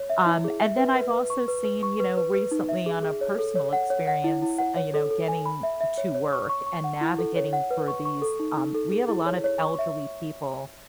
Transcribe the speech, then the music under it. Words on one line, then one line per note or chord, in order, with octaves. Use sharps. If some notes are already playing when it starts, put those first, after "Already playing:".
Um, and then I've also seen, you know, recently on a personal experience, uh, you know, getting to work and navigating for these Um, we have a lot of elderly people,
Already playing: C#5
E5
E4
G#4
E5
B4
B4
B4
C#6
B4
B4
C#6
B4
B4
B4
D#4
E5
G#4
G#4
C#5
A4
C#5
F#5
C#5
F#5
E4
E4
F#5
C#5
A4
A4
G#5
B5
E5
E5
C#5
C#5
C#6
C#6
C#6
F#5
E4
A4
C#5
F#5
B4
C#6
C#6
A4
D#4
D#4
A4
G#4
E4
C#5
C#5
C#6
E5